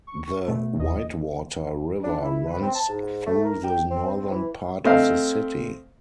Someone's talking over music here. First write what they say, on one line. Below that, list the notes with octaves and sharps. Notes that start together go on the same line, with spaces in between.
The Whitewater River runs through the northern part of the city.
C#6
B2 A3
E2 D#5
D4
E4
B4
C4
A5
G#2
A3
A#4
G5
C4
C4
E3
A3 C4 D#5 F5